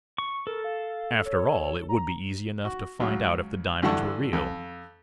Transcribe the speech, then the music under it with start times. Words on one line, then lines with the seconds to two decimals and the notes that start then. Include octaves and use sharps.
After all it would be easy enough to find out if the diamonds were real.
0.18 C#6
0.47 A4 A#4
0.64 F5
1.25 C#5
1.89 A#5
2.65 F#4
3.00 C#2 F#3
3.82 G2 D3 E3 A4 F#5 C#6
4.33 F2